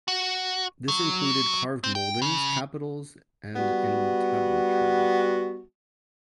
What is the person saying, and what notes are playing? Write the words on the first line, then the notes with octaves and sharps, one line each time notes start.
This included carved mouldings, capitals, and entablature.
F#4
F#3
C4
G5
C#3
G3 B3 F#4